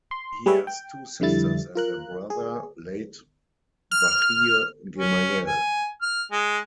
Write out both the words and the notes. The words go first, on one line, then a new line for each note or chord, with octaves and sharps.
He has two sisters and a brother, late Bachir Gemayel.
C6
G3 G#4 B4 C#5 E5
G5
F2 D3 G3 E4 A6
F4 A#4 F#6
G#4
F6
C#4
G#5
F6
G#3